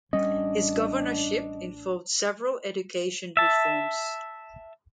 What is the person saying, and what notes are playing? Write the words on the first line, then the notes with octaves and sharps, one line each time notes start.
His governorship involved several education reforms.
A1 G3 C#4 D4 D#5
E5 A5